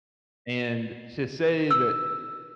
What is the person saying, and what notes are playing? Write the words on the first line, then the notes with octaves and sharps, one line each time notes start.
and to say that
E6